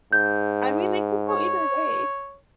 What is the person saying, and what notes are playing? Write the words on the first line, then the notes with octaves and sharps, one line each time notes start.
I mean, they could go either way,
G#2 G6
C#5